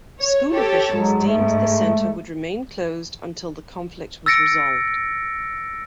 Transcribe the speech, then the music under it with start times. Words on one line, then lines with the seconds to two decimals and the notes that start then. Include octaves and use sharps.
School officials deemed the center would remain closed until the conflict was resolved.
0.20 C#5
0.52 G4 A4 C#5
0.94 G#2 F#3
1.26 A3
4.26 E6 A6 A#6 C#7 D7